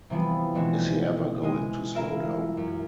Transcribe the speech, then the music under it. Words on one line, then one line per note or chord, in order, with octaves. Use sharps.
Is he ever going to slow down?
C3 E3 F3 G3 B3
B2 D3 E3 G#3 A3 C4
E3 G#3 D#6
E4 F4 A#4 E5 A#5
F#2